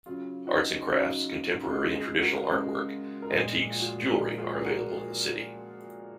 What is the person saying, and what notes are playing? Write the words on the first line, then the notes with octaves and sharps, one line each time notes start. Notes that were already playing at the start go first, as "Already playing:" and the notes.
Art and crafts, contemporary and traditional artwork, antiques, jewellery are available in the city.
C#3 F#3 F4
D#4 F#4
C#3 F#3 D#4 F#4
F#4
C#3 G#3 F4 G#4
F4 G#4
F#4 A#4
C#3 G#3
A#4
A#2 F3 G#3 F4 G#4
F4
F#4
F4
A#2 F3 G#3 F#4 A#4
F4 G#4
G#4
F#4 A#4